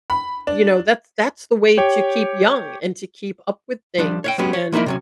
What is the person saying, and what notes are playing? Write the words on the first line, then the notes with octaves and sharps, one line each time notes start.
you know, that's that's the way to keep young and to keep up with things, and,
B5
D4
G4 C#5 G5
F3 G3 D4
C#5 F5 G5
F#3 G#3 B3 C#4 G4
C#5
F3 A#3 D#4 E4 A#4
C3 F#3 C#4